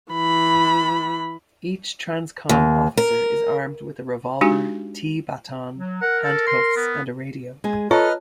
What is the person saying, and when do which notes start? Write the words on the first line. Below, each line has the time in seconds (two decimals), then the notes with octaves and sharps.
Each TransCom Officer is armed with a Revolver, T-baton, Handcuffs and a Radio.
0.12 E3 B5
2.49 D#2
2.97 A#4
4.41 G#3 D4 D#4 F#4 G4 G#5
5.78 F#3
6.02 A#4 F#5
6.24 A4
6.47 C6
6.77 B3
7.64 G#3 G#4
7.91 F4 A4 B4 C#5 D#5 A#5 F6